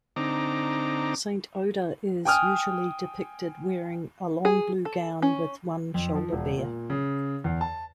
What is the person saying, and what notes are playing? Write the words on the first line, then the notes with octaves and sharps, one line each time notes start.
Saint Oda is usually depicted wearing a long blue gown with one shoulder bare.
D3 C4 D#4 A#5 D6
G5 G#5 D#6 F6
G#4
A4
C#4
F2
F3
E1
A#2
C#3
E2
A5